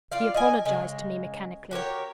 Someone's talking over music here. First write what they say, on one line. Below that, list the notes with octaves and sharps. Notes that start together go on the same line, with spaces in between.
He apologized to me mechanically.
F4 D5 F5
D#5 G#5
C#3 G#3
F#4 G4 A#4 C#5